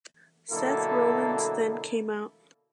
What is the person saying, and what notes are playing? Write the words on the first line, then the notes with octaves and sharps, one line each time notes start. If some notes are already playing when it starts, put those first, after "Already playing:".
Seth Rollins then came out.
B2 D3 F#3 A#3 E4 A4